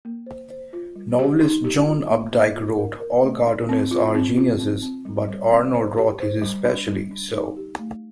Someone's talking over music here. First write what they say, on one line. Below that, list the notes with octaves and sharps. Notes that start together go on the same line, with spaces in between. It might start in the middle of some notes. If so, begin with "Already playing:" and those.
Novelist John Updike wrote, All cartoonists are geniuses, but Arnold Roth is especially so.
A#3
C5
C5
F4
G3
G4
D#4
G4
F4
A#3
A#3
F4
A#4
A#4
A3
D4
C4
F4
C4
F4
C4
C4
G3
G3
C4
C5
G4
C5
G3
D4
G3
D4
D#4
G4
A3